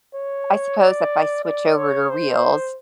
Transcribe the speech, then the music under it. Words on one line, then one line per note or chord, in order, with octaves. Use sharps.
I suppose if I switch over to Reels,
C#5
D5
D5
C#5
C5